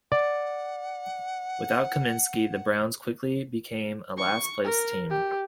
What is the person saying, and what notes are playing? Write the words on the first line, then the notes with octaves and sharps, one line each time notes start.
Without Comiskey, the Browns quickly became a last-place team.
D5 F#5
C#6
A#4
G4